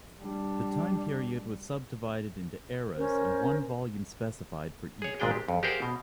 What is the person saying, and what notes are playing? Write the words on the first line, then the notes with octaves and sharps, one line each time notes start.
The time period was subdivided into eras and one volume specified for each.
G3 D4
C#4 A#4 C5
G#4 C#5
G#1 A#2 G#3 D4 G#4 G5
G4
F2
G4 G#4 A#4 C5 F5 F#5
B2